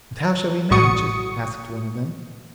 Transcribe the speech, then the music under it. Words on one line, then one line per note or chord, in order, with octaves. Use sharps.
'But how shall we manage it,' asked one of them.
A1 A2 F#4 C#6 D#6 C#7